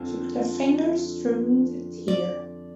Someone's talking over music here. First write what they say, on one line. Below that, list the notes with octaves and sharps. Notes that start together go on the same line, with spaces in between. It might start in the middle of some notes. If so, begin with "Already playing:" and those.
She put her fingers through the tear.
Already playing: F2 D3 F3
D5